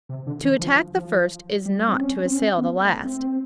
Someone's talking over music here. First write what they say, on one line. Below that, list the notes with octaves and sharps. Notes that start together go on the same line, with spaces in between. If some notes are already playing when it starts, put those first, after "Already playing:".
To attack the first is not to assail the last.
C3
D3
E3
F3
F3
G3
C4
C#4
C4
C#4
B3
A3
C4